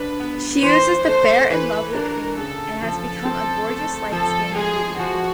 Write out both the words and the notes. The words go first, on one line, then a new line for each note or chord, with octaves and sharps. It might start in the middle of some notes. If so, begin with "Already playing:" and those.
She uses the Fair and Lovely cream and has become a gorgeous light-skinned beauty.
Already playing: D3 D4 B4
B3
E3 C5
A3 C5
E3 B4
D4 A#4
C#3 A4
F3 A4
C4
A3
F3 A4
G#3 G#4
F3 F#4